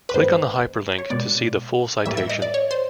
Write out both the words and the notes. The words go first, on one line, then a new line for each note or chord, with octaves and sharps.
Click on the hyperlink to see the full citation.
B4
G2 D#3 G#3 B3 C5
C#5
B2 G#3 B3 D5
A2 E3 G3 A#3 E5
E5
D#5
D5
C#5
C5